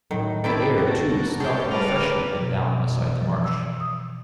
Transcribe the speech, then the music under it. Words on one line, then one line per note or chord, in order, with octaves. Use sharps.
The air too smelt more freshly than down beside the marsh.
A2 D#3 F#3
D#3 C4 E4 A4 B4 D5
F#4 A4 A#4
C#4 G4 G#4 G5 A5 C6 D6
G3 A#4 B4 D5 F5 F6
B2
E3
F3
E6
D#6